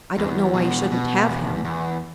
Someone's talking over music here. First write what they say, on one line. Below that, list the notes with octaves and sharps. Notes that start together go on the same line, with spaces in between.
I don't know why you shouldn't have him.
E2
B2
B2
E2
E2